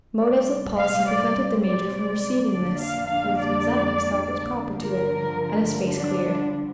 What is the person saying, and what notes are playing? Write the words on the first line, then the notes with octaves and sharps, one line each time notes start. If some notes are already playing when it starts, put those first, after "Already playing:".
Motives of policy prevented the Major from receiving this with the resentment that was proper to it, and his face cleared.
C3 G3 C4 D5
F5
D5
D5
D5
F2 D3 A#3 D4 D5
F5
F5
D5
G2 D3 F3 A#4
D4